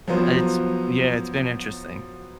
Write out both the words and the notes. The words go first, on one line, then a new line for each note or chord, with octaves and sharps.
it's yeah, it's been interesting.
F3 F#3 B3 C5